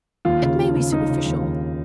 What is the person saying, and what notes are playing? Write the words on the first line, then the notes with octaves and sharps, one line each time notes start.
'It may be superficial.
D#2 F4
C#3
F3
C#3
F3 D#4
C#3
D#2
D#2